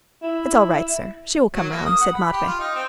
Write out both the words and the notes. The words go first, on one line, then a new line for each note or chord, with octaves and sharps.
"It's all right, sir; she will come round," said Matvey.
E4
F#3
A#3
D#6
F#5
B5
G4
F4
D#4
C4